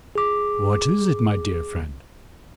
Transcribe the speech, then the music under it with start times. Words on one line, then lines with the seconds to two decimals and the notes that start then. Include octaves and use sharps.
"What is it, my dear friend?"
0.15 G#4 D6